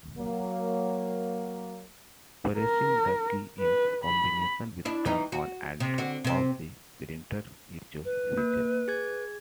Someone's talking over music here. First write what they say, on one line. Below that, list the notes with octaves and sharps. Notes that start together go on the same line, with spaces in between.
Pressing the key in combination with turns on and off the "printer echo" feature.
F#3 A#3
A#4
B4
B5
D4 E4
E3 G3 D#4
F#4
C3
D3 F#4
C3 C4
B4
A#3
G#4 G#6